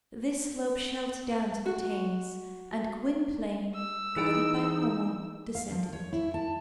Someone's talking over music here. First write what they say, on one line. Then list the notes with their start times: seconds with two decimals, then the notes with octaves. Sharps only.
This slope shelved down to the Thames; and Gwynplaine, guided by Homo, descended it.
1.66 F#4
3.75 E6
4.16 E3 D#4 E4 G#4 D7
5.55 F5
5.72 F3
5.93 C#5
6.13 E4
6.34 A5